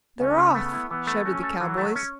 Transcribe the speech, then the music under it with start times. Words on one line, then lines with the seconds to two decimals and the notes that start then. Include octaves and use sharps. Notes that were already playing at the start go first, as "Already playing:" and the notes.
"They're off!" shouted the cowboys.
0.20 C#2 C#4
0.38 C#3
0.55 A3 B3
0.73 E4
0.90 E3 B3
1.07 A3
1.25 C#4 F#4
1.43 A4
1.60 E3 F#3
1.77 A3
1.96 C#4